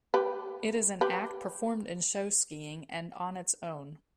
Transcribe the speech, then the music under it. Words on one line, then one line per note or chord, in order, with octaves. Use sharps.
It is an act performed in show skiing, and on its own.
G4 B4
G4 B4